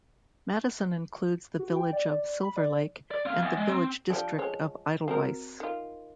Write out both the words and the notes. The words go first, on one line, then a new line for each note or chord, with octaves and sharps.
Madison includes the village of Silver Lake and the village district of Eidelweiss.
F#4
G5
D5
B5
D5
D5
C4 F5
E2
G#3
C4
F3 G3 D4
F3 G#3 C#5
C4 F#4 A#4
D#3 F4